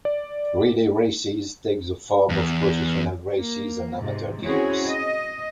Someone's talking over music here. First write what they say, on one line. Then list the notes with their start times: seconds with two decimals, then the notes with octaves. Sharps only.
Relay races take the form of professional races and amateur games.
0.05 D5
2.30 E2
3.38 A#3
3.97 G#2 C3
4.44 C4 C#4 E4 F#4 G#4 C#5
4.89 D#5